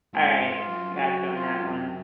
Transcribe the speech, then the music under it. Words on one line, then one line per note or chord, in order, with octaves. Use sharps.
Alright, I got you on that one.
G#2 F4
G#2
F4
F#2
F#4
F4